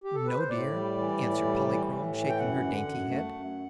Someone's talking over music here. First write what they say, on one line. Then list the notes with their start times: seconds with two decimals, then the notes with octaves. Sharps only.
"No dear," answered Polychrome, shaking her dainty head.
0.04 G4
0.15 A4
0.27 B4
0.38 C5
0.50 A2 D5
0.73 G3
0.98 E3
1.21 A2
1.44 G3
1.68 E3
1.91 A2
2.15 E3
2.29 G5
2.39 F#2 F#5
2.62 D3
2.86 F#2
3.10 A3
3.33 F#2